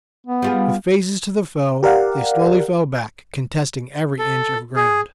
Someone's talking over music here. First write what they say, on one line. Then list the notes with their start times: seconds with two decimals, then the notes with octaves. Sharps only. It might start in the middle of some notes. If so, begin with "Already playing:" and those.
With faces to the foe, they slowly fell back, contesting every inch of ground.
0.27 B3
0.42 G3 F4 G#4
1.83 G4 A#4 D5 F5 F#5
4.18 A4
4.76 G#4